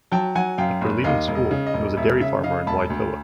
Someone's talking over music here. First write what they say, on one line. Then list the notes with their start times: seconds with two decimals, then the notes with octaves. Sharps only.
After leaving school, he was a dairy farmer in Waitoa.
0.12 F#3 G5 A5
0.35 F#3 F#5 G#5
0.58 F#2 F5 G5
0.81 F#1
1.04 D#2 D#5 F5
1.28 E1
1.35 D#5
1.51 C#3
1.67 D#5
1.74 E1
1.97 E1 E5
2.20 C#3 E5
2.44 C#3 D#5 F5
2.67 E1 A5 B5
2.90 D2